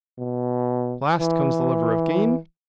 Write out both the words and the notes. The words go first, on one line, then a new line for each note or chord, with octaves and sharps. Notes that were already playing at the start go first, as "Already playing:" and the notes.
Last comes the lover of gain?
B2
E3